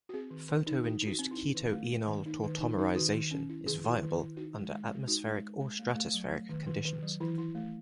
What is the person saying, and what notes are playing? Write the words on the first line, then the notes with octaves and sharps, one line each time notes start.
Photo-induced keto-enol tautomerization is viable under atmospheric or stratospheric conditions.
F#4
C4 G#4
D#3
D#3
D#4
D#4 F#4
D#4
F#4
C4
E4
D#4
D#3
A3
A3
D#3
D#4
D#3
D#4
D#4
D#3 F#4
D#3
C#4
E4
D#3 G#4
E4
D#3
E4
D#4 F#4
G#3
G#3
G#3
D#4 F#4
G#3
G#3
G#3
A3
A3
F#3
A3
D#3
D#3
D#3
F#3
E3 E4
E4
A3